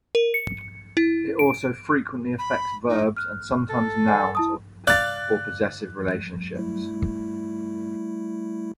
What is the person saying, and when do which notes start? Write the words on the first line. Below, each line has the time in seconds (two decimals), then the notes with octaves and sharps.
It also frequently affects verbs, and sometimes nouns or possessive relationships.
0.15 A#4
0.34 C#7
0.97 E4
1.39 D7
2.39 B5
2.89 D#4
3.17 F6 F#6
3.69 A4
4.08 D5 F#5 G#5
4.35 E4 A5 D#6
4.87 D5 F5 F#6 A6
6.55 G3 A3 E4